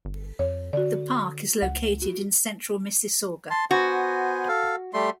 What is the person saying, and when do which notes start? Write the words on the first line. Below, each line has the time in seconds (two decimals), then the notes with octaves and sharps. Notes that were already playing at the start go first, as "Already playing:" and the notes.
The park is located in central Mississauga.
0.05 G1
0.39 F2 C#5
0.73 D3 F#4 D5
1.62 C#2 F#5
2.02 F#4
3.51 A5 C6
3.71 B3 F#4 C5 G#5
4.48 A4 F5
4.93 G3 A3 C6